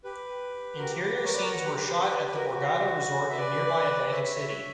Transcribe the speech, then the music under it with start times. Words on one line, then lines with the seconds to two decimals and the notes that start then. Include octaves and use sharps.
Interior scenes were shot at the Borgata resort in nearby Atlantic City.
0.04 G4 B4
0.78 F#4 A#4
0.90 G4
1.03 G4 B4
1.15 G4 B4
1.24 A#4 C#5
1.33 B4 D5
1.43 A#4 C#5
1.52 F#5 A#5
1.64 G4 B4
1.77 G4 B4
1.89 G4
2.01 G4 B4
2.26 G4 B4
2.35 F#4 A#4
2.44 G4
2.54 F#4
3.29 E5
3.37 B4 D5
4.11 C#5 E5
4.24 C#5 E5
4.35 C#5 E5
4.48 C#5 E5